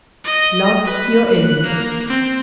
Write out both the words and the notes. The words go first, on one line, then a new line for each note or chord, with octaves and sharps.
Love Your Enemies.
D#5
B4
F#6
A#3
C4